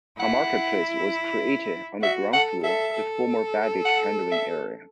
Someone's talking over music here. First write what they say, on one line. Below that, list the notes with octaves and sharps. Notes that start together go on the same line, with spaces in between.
A marketplace was created on the ground floor, the former baggage handling area.
E4 F#5
F#4 E5
A4 F#5
A4 E5
A4
F#5
E5